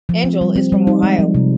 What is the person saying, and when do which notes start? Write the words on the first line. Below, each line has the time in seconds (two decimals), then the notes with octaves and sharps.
Engel is from Ohio.
0.09 F3
0.24 C4
0.41 G3
0.56 C4
0.72 G3
0.87 D#4
1.03 G#3
1.19 F3
1.35 C3